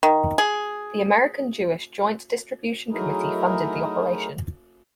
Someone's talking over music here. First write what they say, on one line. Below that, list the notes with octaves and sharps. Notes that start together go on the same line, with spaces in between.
The American Jewish Joint Distribution Committee funded the operation.
D#3
G#4
F#3 A3 D#4 E4 G#4 A#4